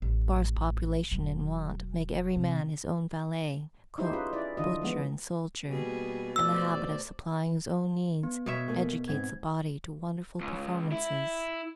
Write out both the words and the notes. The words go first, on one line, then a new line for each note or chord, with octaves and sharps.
A sparse population and want make every man his own valet, cook, butcher and soldier, and the habit of supplying his own needs educates the body to wonderful performances.
A1
E1 F#3
C3
D#4 E4 G4 C5
C#4 F4 G#4 B4
E4 D5
D3 E3 D4 F4 D#5
F3 G#3 B3
B2 G3 A#3 G#4
A3 C5 D5 E6
B3
B2 C#5 E5
A3 A#3 G#5
G#2 B3 C4 G#6
C#2
E4